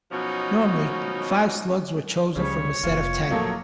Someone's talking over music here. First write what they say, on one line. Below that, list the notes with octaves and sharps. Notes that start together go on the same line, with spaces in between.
Normally five slugs were chosen from a set of ten.
B2 F3 F#3 C#4 D#4
C#2 C#3 G3 C#5
F1 A#3 F4
A#2 F3 F#3 A3 A#3 F4 A4